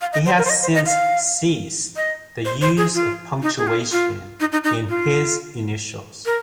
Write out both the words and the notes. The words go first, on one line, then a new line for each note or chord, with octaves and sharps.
He has since ceased the use of punctuation in his initials.
F5
D#5
C5
A#4
C5
D#5
C5
D#5
F5
D#5
C5
C5
G#4
F4
D#4
G#4
F4
F4
D#4
D#4
D#4
F4
A#4